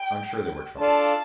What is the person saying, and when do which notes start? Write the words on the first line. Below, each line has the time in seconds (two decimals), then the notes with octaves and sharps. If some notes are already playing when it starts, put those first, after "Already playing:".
I'm sure they were trumpets.
Already playing: G5
0.79 D4 F4 A4 D5 F5 A5